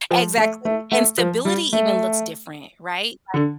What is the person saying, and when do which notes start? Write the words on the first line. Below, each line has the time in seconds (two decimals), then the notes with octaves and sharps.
exactly, and stability even looks different, right, like,
0.11 F3
0.37 A3
0.65 A3
0.92 A3
1.18 F3
1.45 G3
1.73 A3
3.34 D3